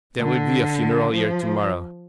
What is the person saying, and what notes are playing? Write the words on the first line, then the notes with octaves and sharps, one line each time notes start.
"There will be a funeral here to-morrow."
D3
F3